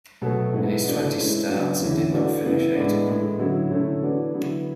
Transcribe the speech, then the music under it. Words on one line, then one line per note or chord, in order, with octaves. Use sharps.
In his twenty starts, he did not finish eight of them.
B2 F#3 A3
G#2 G#3 B3 E4
E3 A3 D4 F#4
E3 G#3 C#4 E4
C#3 F#3 B3 D4 F#4
E2 D3 A3 C#4 E4
E3 A3 D4 F#4
C#3 E3 B3 E4
A2 G#3 B3 D4
A2 E3 G#3
D3 F#3 C#4 E4
D3 A3 C#4 E4
E3 B3 D4 F#4
D3 F#3 B3 E4